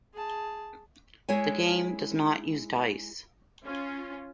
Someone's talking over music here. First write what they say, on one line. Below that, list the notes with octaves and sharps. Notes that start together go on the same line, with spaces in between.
The game does not use dice.
G#4 A5
G#3 E4 C#5 G#5
C#4 F4